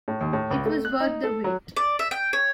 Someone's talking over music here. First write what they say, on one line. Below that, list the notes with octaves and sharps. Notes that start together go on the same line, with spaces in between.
It was worth the wait.
A2
D#2
A2
C#2
A3
F#6
D#4
A4
F#3
D5
E5
G5
C#5